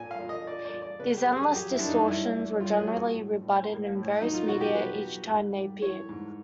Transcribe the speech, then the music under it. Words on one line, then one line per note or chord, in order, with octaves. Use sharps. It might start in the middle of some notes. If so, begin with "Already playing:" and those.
These endless distortions were generally rebutted in various media each time they appeared.
Already playing: A#2 G#5
F5
A#2
D#5
A#2 D5
D5
A#2
D5
C#3 B4
G4
F#2
G#4
F#3 G4
E4
F#2 D4
D#4
G2 E4
E3
G3 F4
G#4
G2 F#4
A2
A2
A2
A2
F#3 D#4
F4
B2 F#4
G4
B2 B4
F#3
G#2
G3
E3 C#5
G#2